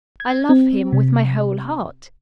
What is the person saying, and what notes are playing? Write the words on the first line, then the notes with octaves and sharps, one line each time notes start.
"I love him with my whole heart."
G#6
C4
C3